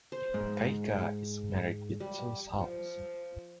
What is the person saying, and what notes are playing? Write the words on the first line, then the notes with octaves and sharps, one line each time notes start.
Caica is married with two sons.
C5
G#2 G#3
G3
F3